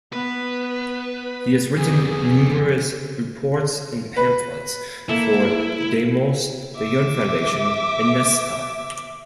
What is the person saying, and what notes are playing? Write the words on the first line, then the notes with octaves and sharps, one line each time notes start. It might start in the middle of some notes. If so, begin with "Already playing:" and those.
He has written numerous reports and pamphlets for Demos, the Young Foundation and Nesta.
B3 B4
F2 B3 G#4
B4
A#3 E4 A4 E5
E5 D6